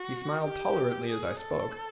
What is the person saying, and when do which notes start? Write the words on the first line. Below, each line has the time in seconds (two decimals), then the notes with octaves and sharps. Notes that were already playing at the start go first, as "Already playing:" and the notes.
He smiled tolerantly as I spoke.
Already playing: F#4
0.43 G4
1.09 G#4
1.41 A4